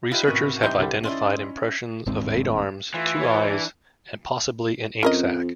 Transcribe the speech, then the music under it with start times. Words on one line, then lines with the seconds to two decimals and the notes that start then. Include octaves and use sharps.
Researchers have identified impressions of eight arms, two eyes, and possibly an ink sac.
0.11 D#4 F4 G4 B4 E5
0.27 A1 C3 B3 F#4 A#4 D#7
0.63 E3 G3 D4 D#4 E5 C6 G6
0.79 C2 D3 G3
1.03 C#4 D#4 E4 D5 C6 D#6
2.06 D#1 D2 G#2 C4
2.94 E3 A3 F4
3.21 F4 C#5
3.47 A3 D4
5.03 F2 C#4 A#4 D#5